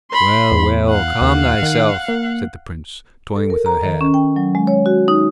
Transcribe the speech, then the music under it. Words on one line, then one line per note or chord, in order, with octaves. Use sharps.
"Well, well, calm thyself," said the prince, toying with her hair.
B5 C6
E2
F5 F#5
D#2
D#3
A#3
A4
A#4
A#5
D#3
C#4
G5
F#3
G#3
C#5
F#4
D#4